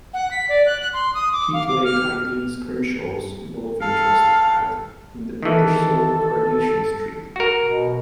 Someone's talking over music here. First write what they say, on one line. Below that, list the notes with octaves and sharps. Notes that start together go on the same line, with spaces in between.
He played Eileen Grimshaw's love interest Pat in the British soap "Coronation Street".
F#5
B6
D5
F#6
F#6
C6
D#6
D6
F5
D6
F6
A4 F5
D#3 E3 A4
F#4 A#4
B2